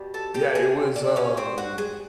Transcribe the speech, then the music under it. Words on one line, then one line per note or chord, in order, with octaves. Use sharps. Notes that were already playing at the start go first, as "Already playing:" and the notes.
Yeah, it was, um
Already playing: B2 G3
A4 A5
G4 G5
G#4 G#5
D4 D5
C#4 C#5
C4 C5
F#4 F#5
G#4 G#5